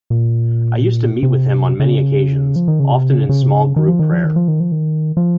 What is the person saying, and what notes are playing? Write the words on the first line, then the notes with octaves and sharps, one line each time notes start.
I used to meet with him on many occasions, often in small group prayer.
A#2
C3
C#3
F3
D#3
C#3
C3
C#3
C#3
C3
C#3
D#3
F3
D#3
F3
D#3
F3
D#3
F3
D#3
F3